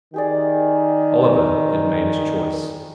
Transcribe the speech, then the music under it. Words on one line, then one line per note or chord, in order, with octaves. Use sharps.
Oliver had made his choice.
D#3 G4 G#4 D5